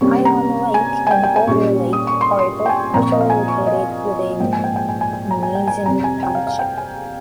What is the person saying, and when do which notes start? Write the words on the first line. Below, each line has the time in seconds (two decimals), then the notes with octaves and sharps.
Island Lake and Boulder Lake are both partially located within Gnesen Township.
0.01 C3 G3 A#3 C#4 C#6
0.25 A#5
0.74 G#5
1.07 G#5
1.11 G5
1.23 G5
1.36 G#5
1.47 A#2 G3 C#4 C#6
1.93 D#6
2.07 C#6
2.21 C6
2.39 C6
2.66 G5
2.69 G#5
2.94 A#2 F3 C4 A#5
3.02 C#6
3.12 D#5
3.21 F5
3.30 G#5
3.48 C#6
3.67 D#5
4.40 G#2 F3 A#3 G5
4.53 G#5
4.64 G5
4.76 G5
4.89 G#5
5.01 G#5
5.13 G#5
5.31 A#5
5.43 G#5
5.55 G5
5.68 G#5
5.86 F2 C3 G3 A#5
6.04 G#5
6.23 G5
6.35 F5
6.47 F5
6.59 G5
6.78 G#5